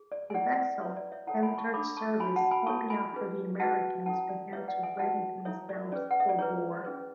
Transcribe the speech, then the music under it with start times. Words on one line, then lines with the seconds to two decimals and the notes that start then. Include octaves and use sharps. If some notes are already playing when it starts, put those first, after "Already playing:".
The vessel entered service only after the Americans began to ready themselves for war.
Already playing: G#4
0.12 D5
0.30 G#5
0.34 E4 G#4 C#5 D5 F#5
0.50 D5 F#5
0.65 D5
0.81 E4 C#5
0.84 B4
0.89 E5
0.96 D5
1.12 C#5 E5
1.27 E4 A4 C#5 F#5 A5
1.43 G#5 B5
1.54 B5
1.58 A5 C#6
1.74 D4 A4 C#5 B5 D6
1.97 A5 C#6
2.20 F#4 G#5 B5
2.23 C#5
2.36 F#5 A5
2.51 G#5 B5
2.67 E4 A4 C#5 A5 C#6
2.90 G#5 B5
3.13 C#4 G#4 B4
3.60 F#4 B4 F#5 A5
4.06 C#4 E4 A4 F#5 A5
4.29 D5
4.53 E4 G#4 B4 C#5 E5
4.68 D5 F#5
4.83 E5 G#5
4.99 F#4 F#5 A5
5.03 B4
5.45 E4 A4 C#5 E5
5.69 D5
5.92 C#4 G#4 B4 D5
6.11 F#5
6.20 E5
6.29 D5
6.38 E4 G#4 B4 C#5
6.85 C#4 G#4 B4